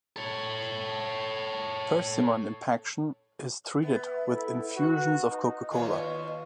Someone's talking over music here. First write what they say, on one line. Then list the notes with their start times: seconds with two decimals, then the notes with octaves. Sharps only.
Persimmon impaction is treated with infusions of Coca-Cola.
0.16 A4 C#5
3.82 B3 E5
4.28 E4 A4
4.77 F#4 B4
5.30 D#4 D#5
5.71 D#2 B3 F4 C#5